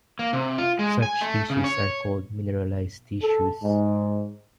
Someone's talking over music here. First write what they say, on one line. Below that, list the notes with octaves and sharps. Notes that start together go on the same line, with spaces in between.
Such tissues are called mineralized tissues.
A#3
C3
F4
G#3
G#5
A3
C#3
C#5
A4
G#2